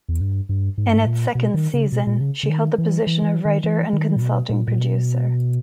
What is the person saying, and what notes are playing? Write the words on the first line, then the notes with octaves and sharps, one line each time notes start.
In its second season she held the position of writer and consulting producer.
E2
G2
G2
G#2
G2
G#2
A#2
B2
D#3
C#3
B2
A#2
B2
C#3
C#3
D#3
E3
E3
D#3
E3
D#3
E3
D#3
A#2
B2
A#2
A#2
B2